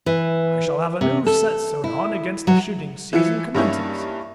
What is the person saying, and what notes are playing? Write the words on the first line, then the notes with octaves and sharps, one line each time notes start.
I shall have a new set sewed on against the shooting season commences.
E3
C3
A4
E4
F#3
E3 F3 E4 C#7
G2 A#3 C#4 D#4 E4 C#6